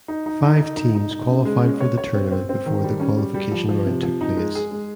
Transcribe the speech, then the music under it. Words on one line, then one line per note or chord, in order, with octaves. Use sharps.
Five teams qualified for the tournament before the qualification round took place.
D#4
D#4
D#4
D#4
D#4
D#4
D#4
C#3
G#3
C#4
C#5
C#5
C4
C4
C4
D#3
G3
C#4
G3
G3
F3
F3
C3
F3
D#4
G#3
G#4
G#3